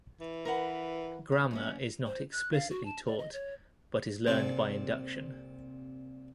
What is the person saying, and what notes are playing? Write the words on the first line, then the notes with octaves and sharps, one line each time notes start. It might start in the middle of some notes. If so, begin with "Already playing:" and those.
Grammar is not explicitly taught, but is learned by induction.
E3
A#4 B4 F#5
F5
F#2 A#3 C#4
C5
F#6
F5
F#4
A5
D5
D#5
C#5
C2 A#2 C4 A4